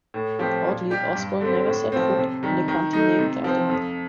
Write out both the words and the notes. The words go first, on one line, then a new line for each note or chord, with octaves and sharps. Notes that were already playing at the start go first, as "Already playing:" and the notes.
Oddly, Osborne never set foot in the county named after him.
A2
F3 C4 G4
A#2
G3 D4 G4
G2
D3 G3 C4
A2
F3 C4
C3
D#3 G3
D#3
A3 D#4
C3
F3 C4
F2